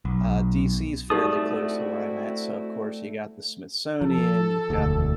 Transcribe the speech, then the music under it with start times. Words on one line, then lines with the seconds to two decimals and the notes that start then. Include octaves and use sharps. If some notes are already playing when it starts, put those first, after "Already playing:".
uh, DC is fairly close to where I'm at, so, of course, you got the Smithsonian, you've got the
0.05 B1
1.10 A3 C4 D#4 E4 F#4 G4 D5 D#6
4.01 F3 A4
4.70 E1 D2